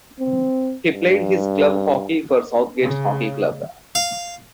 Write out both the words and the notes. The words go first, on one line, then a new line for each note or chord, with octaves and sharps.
He played his club hockey for Southgate Hockey Club.
C4
G2
C#3
F5